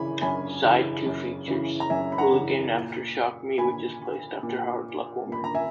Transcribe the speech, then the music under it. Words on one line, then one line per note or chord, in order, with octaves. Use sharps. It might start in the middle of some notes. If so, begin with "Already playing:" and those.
Side two features "Hooligan" after "Shock Me", which is placed after "Hard Luck Woman".
Already playing: F#2 C#3 E3 G#5 B5
F#2 G#5 B5
C#3 E3
F#2
C#3 E3
A#5
F#2 E5 G#5
B5
F#5 A#5
C#3 E3
A#2
A#2 G#5 B5
A#2
A#2
B5
A#5
E5 G#5